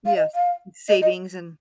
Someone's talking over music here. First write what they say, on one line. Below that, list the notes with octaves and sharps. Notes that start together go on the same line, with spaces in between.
Yes, savings and
F5
D#5
F5
D#5
D#5